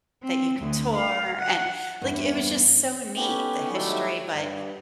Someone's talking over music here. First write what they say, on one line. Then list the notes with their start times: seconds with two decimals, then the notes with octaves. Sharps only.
that you could tour, and, like, it was just so neat, the history, but
0.22 C4
0.59 D2
0.96 F5
1.39 F#5
2.01 E2 G2
3.16 B3 C#4 D#4 G4 A4
3.71 D#3 F#3 G3 A3 E4
4.34 G2